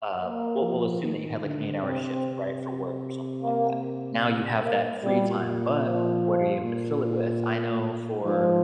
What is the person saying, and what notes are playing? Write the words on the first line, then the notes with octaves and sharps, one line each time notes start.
uh we'll we'll assume that you had, like, an eight-hour shift, right? For work or something like that, now you have that free time, but what are you able to fill it with? I know for,
A#3
F3
D#3
D3
C3 C4
A#3
A#3
A#2 G3
F3
A#2
G#2 F3